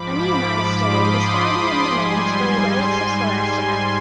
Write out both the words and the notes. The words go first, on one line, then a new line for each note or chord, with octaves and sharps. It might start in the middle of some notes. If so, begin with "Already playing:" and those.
A new monastery was founded in Le Mans for the relics of Scholastica.
Already playing: G#2 F3 B5 D6
C6 D#6
B5 D6
G#2 G3 G#5 C6